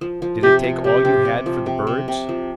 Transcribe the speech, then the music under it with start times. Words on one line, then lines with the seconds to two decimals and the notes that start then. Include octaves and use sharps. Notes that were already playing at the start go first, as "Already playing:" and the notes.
"Did it take all you had for the birds?"
0.01 F3
0.22 F3
0.43 C3 G4
0.64 F3
0.84 C3 G4
1.05 C3
1.25 C3
1.46 F3
1.66 C3
1.87 C3
2.08 C3
2.29 F3